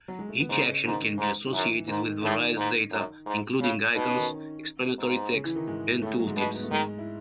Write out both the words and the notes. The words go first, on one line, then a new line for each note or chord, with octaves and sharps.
Each action can be associated with various data including icons, explanatory text, and tooltips.
F#3
G#3
A3
B3
G#2 C#3 C#4
G#2 D#3 D#4
G#2
D#4
F#2 E3 E4
G#2 D#3 D#4
A2 D#3 D#4
G#2
F#2
G#2
C#3
B2 D#4
C#4
D#3 D#4
G#2
C#3 C#4
E3 E4
D#3 D#4
G#2 G#3
A2 A3
G#3
F#3
G#2 G#3
B2
B3
A3
G#2 D#3 G#3
E4